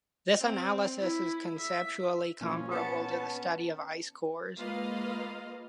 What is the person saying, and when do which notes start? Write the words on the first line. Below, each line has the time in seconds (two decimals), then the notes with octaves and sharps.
This analysis is conceptually comparable to the study of ice cores.
0.39 C4
0.99 E4
1.58 E5
2.41 A#2 F3 C#4
2.71 B3 A5
3.10 B3
4.58 G#3 A#3 F4 B4 D#5 F5